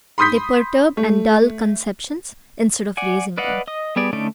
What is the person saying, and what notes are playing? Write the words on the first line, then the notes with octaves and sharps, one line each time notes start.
They perturb and dull conceptions instead of raising them.
B5 C6 D#6 G6 B6
A3
D5 F#5 G#5
B4 D5 D#5 F5 F#5
D#5 D#6
G3 B3 G#4 D5
D3 A3 C#4 D#4 D5